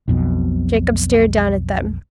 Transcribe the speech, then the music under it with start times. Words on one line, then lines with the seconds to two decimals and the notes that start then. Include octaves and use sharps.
Jacob stared down at them.
0.08 B1 F2 B2